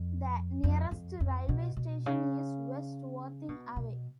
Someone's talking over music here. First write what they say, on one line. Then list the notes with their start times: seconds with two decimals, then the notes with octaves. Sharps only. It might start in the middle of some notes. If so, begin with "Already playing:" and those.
The nearest railway station is West Worthing, away.
Already playing: F2
0.63 F2
0.91 F2
1.20 F2
1.49 B2
1.77 B2
2.06 C#3
3.49 B2
3.76 B2